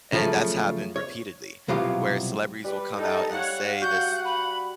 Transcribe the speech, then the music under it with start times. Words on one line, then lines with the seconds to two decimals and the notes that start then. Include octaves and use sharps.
And that's happened repeatedly, where celebrities will come out and say this
0.12 C#3 F3 F#3 A3
0.96 C#5
1.68 C2 B2 F#3 F4 G4 F5
2.64 G3 B4 D6
2.97 D#4 A4 D#5
3.32 C#5 F5 F#5
3.82 F#4 F#5 G6
4.25 B5